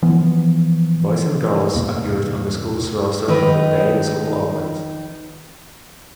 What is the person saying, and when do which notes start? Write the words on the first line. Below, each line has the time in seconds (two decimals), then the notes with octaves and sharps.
Boys and girls appeared on the school's roster from the day the school opened.
0.02 E3 F3 B3
1.75 E2 A2 C3 A#3
3.28 D#3 D#4 B4